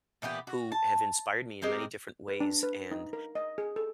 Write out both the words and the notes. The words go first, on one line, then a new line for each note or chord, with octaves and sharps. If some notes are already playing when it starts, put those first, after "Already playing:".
who have inspired me in many different ways, and,
A#2 E3 B3 G4
F#4
A5
G#3 C4 G4 A#4
B4
D4
B4
D#4
A#4
D#5
G#4
A4